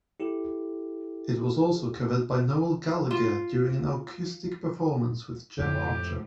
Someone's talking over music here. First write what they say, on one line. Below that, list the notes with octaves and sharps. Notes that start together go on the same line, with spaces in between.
It was also covered by Noel Gallagher during an acoustic performance with Gem Archer.
E4 G4 A4
F4
F2 A2 G4